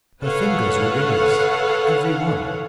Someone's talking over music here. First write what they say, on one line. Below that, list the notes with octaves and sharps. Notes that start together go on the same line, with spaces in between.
Her fingers were ringless, every one.
A4 B4 C#5 F5 F#5